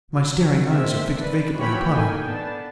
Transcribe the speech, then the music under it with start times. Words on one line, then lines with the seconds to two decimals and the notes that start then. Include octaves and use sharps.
My staring eyes are fixed vacantly upon him.
0.15 F#3
0.70 G#3 A#3 C4 E5
1.16 D4 B4
1.57 E3 F3 F#4 C#5 G5 B5
1.92 A#3 D#4 A4 G5 G#5
2.26 B3 D4 A5